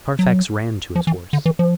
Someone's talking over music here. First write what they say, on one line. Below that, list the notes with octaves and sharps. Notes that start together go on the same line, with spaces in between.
Carfax ran to his horse.
F#3
F3
E3
D3
E3
F3